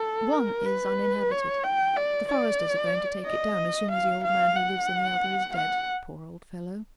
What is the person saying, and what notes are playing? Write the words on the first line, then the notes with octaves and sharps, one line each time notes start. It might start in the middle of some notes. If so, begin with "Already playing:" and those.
One is uninhabited; the foresters are going to take it down, as soon as the old man who lives in the other is dead, poor old fellow!
Already playing: A4
A#4
B4
C#5
G5
D5
D5
D#5
F5
F5
F#5
F#5